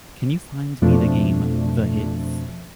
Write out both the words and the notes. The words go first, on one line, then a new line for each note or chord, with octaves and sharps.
Can you find me the game, The Hits?
F2 B2 F3 A3 D4